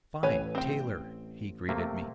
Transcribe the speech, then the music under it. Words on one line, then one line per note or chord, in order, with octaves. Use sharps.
"Fine, Taylor!" he greeted me.
A1 B4 C#5 G#5
C4 G5
C3 A3 A#3